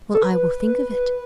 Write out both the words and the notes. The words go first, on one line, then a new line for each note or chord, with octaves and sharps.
"Well, I will think of it."
A4
B4